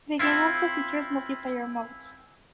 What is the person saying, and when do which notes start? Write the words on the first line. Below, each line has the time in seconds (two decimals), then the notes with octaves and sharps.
The game also features multiplayer modes.
0.19 C4 E4 F4